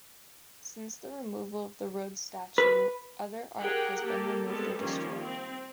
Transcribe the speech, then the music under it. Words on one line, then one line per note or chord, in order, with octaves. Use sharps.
Since the removal of the Rhodes statue, other art has been removed or destroyed.
B4
G4 G#4 A#4 F#5 G5
A#3 G4 A4
G3 G#3 B3 C4 A4
D#3 F3 G3 A#3 C#4
C4